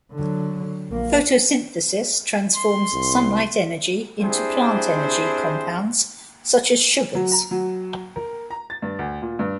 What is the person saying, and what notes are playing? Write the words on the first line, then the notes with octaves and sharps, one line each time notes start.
Photosynthesis transforms sunlight energy into plant energy compounds such as sugars.
D3 F#3
A#1 A#3
C6
C2
C4 D4 E4 G4 G#4 C5
F#3
A#5
F#3
A#4
A#5
A6
G2
D2
A#2
G2